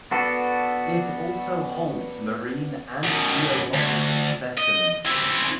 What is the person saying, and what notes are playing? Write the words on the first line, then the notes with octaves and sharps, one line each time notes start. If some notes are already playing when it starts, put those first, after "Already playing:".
It also holds marine and geological specimens.
B3 D4 F#4 A4
F#2 B2
D2
D#5
C4 E4